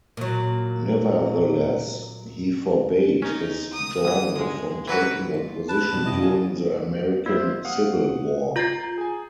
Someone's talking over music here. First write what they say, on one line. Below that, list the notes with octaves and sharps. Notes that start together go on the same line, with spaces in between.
Nevertheless, he forbade his journal from taking a position during the American Civil War.
A#2 F#3
C#4 D#4
D#6
G#1 E3
G1 F#2 G#3
E3 F#3 F#4 B4
F4
B4 A5
B2 G3
F#2 C3 E4 D#5
F4 G#4
A#3 F4 C5 E5
F5 F#5 D#6
F4 A#5 G6 A6 C7
G#4 G#5